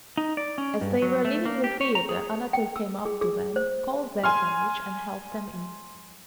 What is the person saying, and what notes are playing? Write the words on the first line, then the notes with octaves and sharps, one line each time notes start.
As they were leaving the theater Anatole came up to them, called their carriage, and helped them in.
D#4
D5
C#4
G2
F#3
A3
A#3
G4
C#5
A#5
G#4
G5
E6
G#4
G#4
C5
G#5 C6 F6